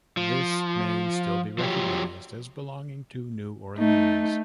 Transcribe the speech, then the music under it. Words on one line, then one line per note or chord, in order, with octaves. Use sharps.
This may still be recognized as belonging to New Orleans.
F3
F3 F#3 G4
A3 D#4